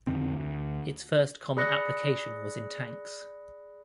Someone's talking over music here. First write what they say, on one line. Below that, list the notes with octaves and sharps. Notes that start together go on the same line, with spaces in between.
Its first common application was in tanks.
F2 D3 D#3 C4
D2
G#4 D5 B5 F#6 A#6 C#7